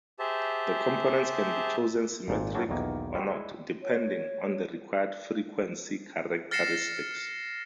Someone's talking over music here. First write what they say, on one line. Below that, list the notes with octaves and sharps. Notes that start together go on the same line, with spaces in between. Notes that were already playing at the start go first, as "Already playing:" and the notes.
The components can be chosen symmetric or not, depending on the required frequency characteristics.
G4 G#4 C5 E5 A5
G#1 A#2 A5
F#3 G3 A3 C#4 D4 F#4
B1 E2 D#3 A#3 G#5
F#3 G3 C#4 F4 G4
G#3 E4
C#5
F6 A6 A#6 C7 C#7 E7